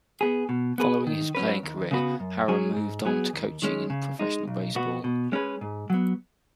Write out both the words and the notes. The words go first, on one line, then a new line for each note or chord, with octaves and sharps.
Following his playing career, Harrah moved on to coaching in professional baseball.
B3 G#4
B2
B3 G#4 B4
D#3
F#3 C#4 B4
D#2
C#3 B3 F#4 B4
F#2
F#3 C#4 G#4
G#2
F#3 B3 G#4
D#2
D#3 G#3 C#4
C#3
G#3 D#4
B1
B2 B3 F#4
B2
G#3 C#4 G#4 B4
G#2
F#3 B3